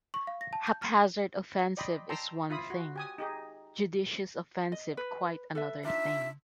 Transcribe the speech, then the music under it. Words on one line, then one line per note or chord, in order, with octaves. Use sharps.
Haphazard offensive is one thing; judicious offensive quite another thing.
C#6
F5
A#6
A5
G6
F6
D5 D#5 G5 B5 C6
G5 A5 A#5 C6 E6
E4 F4 B5 D#6
F#4
G4 G#5 D#6
D#4 G4 G#4
D#5
B4
A4 B4 E5
D4 D#4 F4 E5